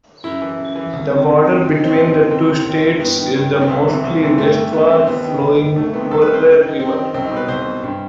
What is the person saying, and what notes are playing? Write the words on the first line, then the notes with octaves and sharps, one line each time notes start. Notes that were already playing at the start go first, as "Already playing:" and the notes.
The border between the two states is the mostly westward-flowing Murray River.
F#2 E4
E3
F#2
E3
C2
C3 D#3
C2
C3 D#3
D#2 D#4
D#4
D#3
C4
D#2 B3
D#3
D#2 C4
D#3
D#2
D#3
G2 B3
D#3
G2
D#3
C4
C2 B3
C3 E3
C2
C3 E3
G2 A3
E3
G2 B3
E3 C4
D#2 B3
D#3
D#2
D#3
C2 A3
C3 D#3 B3
C2 A4
B4
C3 D#3
C5
F#2 A4
D#3
D#4
F#2 C4
D#3
C2 C4
D#4
B2
B4
C2 C5
B2
G2